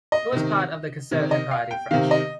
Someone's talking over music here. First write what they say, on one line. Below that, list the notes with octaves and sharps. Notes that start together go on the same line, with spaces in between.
He was part of the conservative party fraction.
D#5
C3 D#3
C3 D#3
D#5
F5
G5
C3 D#3 F5
D#5